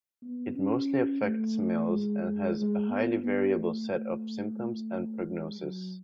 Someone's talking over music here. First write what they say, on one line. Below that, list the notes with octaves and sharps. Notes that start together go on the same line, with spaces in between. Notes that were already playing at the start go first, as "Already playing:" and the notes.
It mostly affects males and has a highly variable set of symptoms and prognoses.
B3
C#4
A3
G#3
G#3
G#3
B3
B3
A3
A3
A3
G#3
F#3